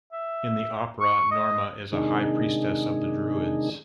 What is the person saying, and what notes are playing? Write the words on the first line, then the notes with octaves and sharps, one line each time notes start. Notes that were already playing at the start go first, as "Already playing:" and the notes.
In the opera, Norma is a high priestess of the Druids.
E5
C#6
D#5
C3 D#3 G#3 D4 D#4 G#4